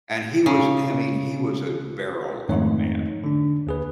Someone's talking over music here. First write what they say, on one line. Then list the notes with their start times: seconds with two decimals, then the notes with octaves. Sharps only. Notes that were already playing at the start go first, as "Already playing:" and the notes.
And he was I mean, he was a barrel of a man.
0.46 C#3
2.49 F2 G#2 D#3 A3 D#4 C#5
3.24 D3 D4
3.67 D#2 G#4 B4